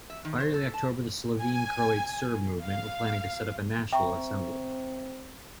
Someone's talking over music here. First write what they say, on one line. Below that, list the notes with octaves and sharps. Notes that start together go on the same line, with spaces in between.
By early October, the Slovene-Croat-Serb movement were planning to set up a National Assembly.
E5
D#3
C5
A4
A5
G#5
F5
C4 E5 G5 A#5 C#6